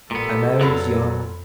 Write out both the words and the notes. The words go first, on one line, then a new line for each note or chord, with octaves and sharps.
I married young.
A1 A#2 G3 B3 A4
F2 F#3 B3 F4 D5